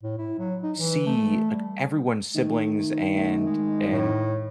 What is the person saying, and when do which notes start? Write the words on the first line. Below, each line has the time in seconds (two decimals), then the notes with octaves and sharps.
see, like, everyone's siblings and and,
0.03 A2
0.18 E4
0.39 F#3
0.63 D#4
0.77 E3
1.06 A3
1.51 G3
2.35 D#3 A3
3.14 A3
3.45 G#3
3.92 A2